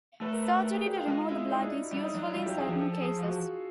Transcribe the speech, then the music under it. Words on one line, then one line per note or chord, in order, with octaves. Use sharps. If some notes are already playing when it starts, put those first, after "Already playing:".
Surgery to remove the blood is useful in certain cases.
A3 B4
A#4
B4
B4
A#4
G#4
G4
F4
G#3 F4
E4
D#4
D4
D#4
E4
G3 E4
D#4
F#3 D4
E4
G3 F4
F#3 G4
F#3 G#4
F3 G4
A4
A4
G#4
F4
F#4